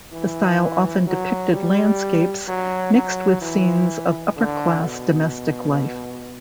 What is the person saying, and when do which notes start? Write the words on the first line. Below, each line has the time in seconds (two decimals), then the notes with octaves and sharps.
The style often depicted landscapes mixed with scenes of upper-class domestic life.
0.13 E3
1.07 F#3
1.54 G3
2.48 F#3
2.95 F#3
3.42 E3
4.37 D3
4.83 B2